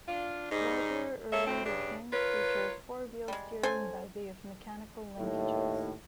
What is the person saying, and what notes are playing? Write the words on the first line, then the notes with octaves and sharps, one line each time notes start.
Larger or longer trains feature four-wheel steering by way of mechanical linkages.
D4 F4
G#2 G3 D#4
A#3 A4 C#5 E5
D2 A2 C4
G2 C#3 D4
F4 A#4 B4 C#5
G3 G#3
C#3 A4 C5 G#5
D#2 A2